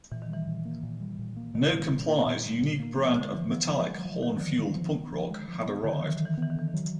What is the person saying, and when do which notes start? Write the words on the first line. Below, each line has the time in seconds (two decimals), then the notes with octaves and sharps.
NoComply's unique brand of "metallic, horn fueled punk rock" had arrived.
0.11 A#2 E3
0.22 D#3
0.29 E3 G3
0.47 A#2
0.65 A#3
0.83 A#2
1.01 G3
1.19 A#2
1.36 A#3
1.54 A#2 D#3
1.72 G3
1.90 A#2
2.08 A#3
2.26 A#2
2.44 G3
2.62 A#2
2.80 A#3
2.98 F3
3.15 D3 G#3
3.34 E3 F3
3.51 F3 B3
3.69 F3 G#3
3.87 F#3 G#3
4.05 F3
4.23 D#3 B3
4.36 D#3
4.40 D3 F3
4.58 G#3
4.77 F3
4.94 B3
5.12 F3
5.30 G#3
5.48 F3
5.66 B3
5.84 D3 D#3
5.92 E3
6.01 D#3 F#3
6.09 E3
6.17 D3 D#3
6.25 E3
6.34 D#3 B3
6.43 E3
6.50 D#3
6.55 D3 E3
6.68 D#3
6.74 F#3